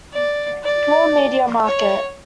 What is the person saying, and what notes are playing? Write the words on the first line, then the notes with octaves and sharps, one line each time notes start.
Paul media market.
D5
D5
C#5